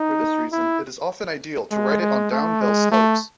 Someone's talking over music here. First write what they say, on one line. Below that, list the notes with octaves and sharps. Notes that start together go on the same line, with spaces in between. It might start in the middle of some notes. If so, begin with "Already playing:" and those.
For this reason, it is often ideal to ride it on downhill slopes.
Already playing: D#4
E4
G#3
G#3
A3
G#3
A3